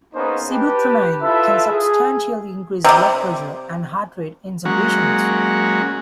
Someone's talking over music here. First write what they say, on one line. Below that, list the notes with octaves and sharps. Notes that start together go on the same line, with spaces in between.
Sibutramine can substantially increase blood pressure and heart rate in some patients.
A#3 B3 C#4 D#4 G#4 C5
G4 B4 A5
E4 F4 A4 B4 E5
G#4
C3 G3
F#3 G#3 A#3 C#4 F#4